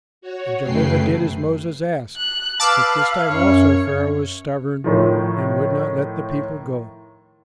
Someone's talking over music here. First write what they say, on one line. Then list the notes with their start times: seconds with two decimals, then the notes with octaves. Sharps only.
And Jehovah did as Moses asked; but this time also Pharaoh was stubborn and would not let the people go.
0.21 F#4 C#5
0.64 F#2 C#3 A3 B4 G5 C7
2.17 F#6
2.60 B4 F5 A5 D6 E6
3.29 F#2 C#5
4.84 A2 D#3 F3